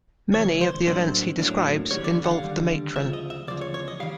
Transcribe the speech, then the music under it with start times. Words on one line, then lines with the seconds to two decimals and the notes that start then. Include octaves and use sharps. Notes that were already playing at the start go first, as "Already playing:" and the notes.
Many of the events he describes involved the matron.
0.34 C#2 C3 E3 C#5
0.61 C5
0.87 A2 F#3 A#3 D4 C5
1.39 A2 F#3 A#3 D4
1.91 D#2 D3 G3 C#5
2.04 D5
2.25 F#5
2.31 F5
2.43 D#2 D3 G3
2.95 D2 C#3 F3 E5
3.13 D#5
3.30 E5
3.47 D2 C#3 F3 D5
3.61 C#5
3.74 C#5
3.88 D#5
4.00 D#3 G3 F5